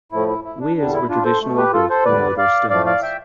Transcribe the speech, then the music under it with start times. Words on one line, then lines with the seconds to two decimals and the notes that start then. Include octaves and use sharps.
Weirs were traditionally built from wood or stones.
0.12 A2 F3 A3 E4
0.28 E4
0.44 E4
0.60 D4
0.76 E2 D3 G3 D4
0.93 E4
1.09 D4 F4
1.25 A4 C5
1.41 B2 A3
1.57 G4 B4
1.73 F4 A4
1.90 A4 C5
2.05 E2 D3 G3 B4 D5
2.38 D5 F5
2.70 A2 F3 A3 D5 F5
2.86 D5 F5
3.02 E5 G5